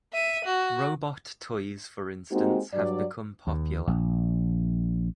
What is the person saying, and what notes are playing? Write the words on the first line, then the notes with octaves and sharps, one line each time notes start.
Robot toys for instance have become popular.
E5 D#7
F#4
G#3 A#3 C4 D#4 F#4 G4
G2 F#3 D5
D#2
A#1